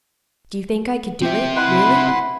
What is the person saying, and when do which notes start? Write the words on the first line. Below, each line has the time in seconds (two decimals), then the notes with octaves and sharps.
"Do you think I could do it, really?"
1.22 C4 G4 E5
1.57 E4 B4 F#5 C6